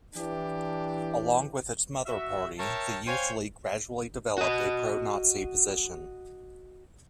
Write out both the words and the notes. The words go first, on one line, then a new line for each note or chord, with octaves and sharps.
Along with its mother party, the youth league gradually developed a pro-Nazi position.
E3 D4 G4
F#4 E5
A#4 C#5 E5 G5 A5
C5 C#5 F5 G5 G#5
F#4 D#5